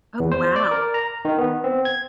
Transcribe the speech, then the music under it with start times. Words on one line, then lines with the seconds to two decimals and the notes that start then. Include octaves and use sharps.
Oh, wow.
0.20 E2
0.32 C5
0.56 D5
0.71 A#4
0.94 A#5
1.25 D#3
1.38 B3
1.64 C4
1.85 G#6